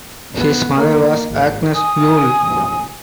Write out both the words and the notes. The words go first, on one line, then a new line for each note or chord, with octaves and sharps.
His mother was Agnes Yule.
B3
A#3
G#1
G#5 D#6